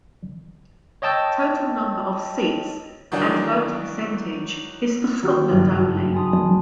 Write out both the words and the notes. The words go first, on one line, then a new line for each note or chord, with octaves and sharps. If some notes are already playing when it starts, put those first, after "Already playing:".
Total number of seats, and vote percentage, is for Scotland only.
C#5 D#5 G5 A5 E6 G6
D#3 E3 F#3 D4
D#3 A#3 F#4 G4
F#1 G2 F6 A6
G#5 A5 B5 C6 D#6